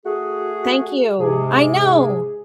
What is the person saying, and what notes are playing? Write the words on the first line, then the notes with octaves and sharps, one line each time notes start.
Thank you, I know,
A3 F#4 G#4
G#2 C3 G#4